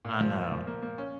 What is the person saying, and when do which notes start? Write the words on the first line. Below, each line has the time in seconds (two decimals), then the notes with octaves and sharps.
I know.
0.05 A#2
0.21 F3
0.36 A#2
0.52 F3
0.67 A#3
0.82 A#3
0.98 C#4